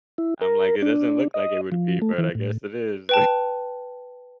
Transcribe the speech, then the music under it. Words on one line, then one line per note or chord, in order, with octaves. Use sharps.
I'm like, it doesn't look like, it would be, but I guess it is.
E4
A#4
D4
D#5
F3
A3
E3
A2
B4 G5 A5